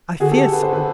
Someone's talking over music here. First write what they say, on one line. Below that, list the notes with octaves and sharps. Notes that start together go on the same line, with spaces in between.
"I fear so."
D3 F#4 G#4
G4 A4
B4
C5
A4 B4